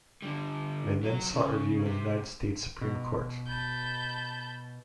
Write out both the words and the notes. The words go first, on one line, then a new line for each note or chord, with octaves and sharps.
They then sought review in the United States Supreme Court.
D3 G3
F#3 F#4
C#3
C3
B2
A5 B5 G6